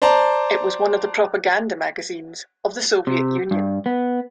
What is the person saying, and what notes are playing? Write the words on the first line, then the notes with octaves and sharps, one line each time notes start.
It was one of the propaganda magazines of the Soviet Union.
C5 D5 A5 A#5
C3
G2
B3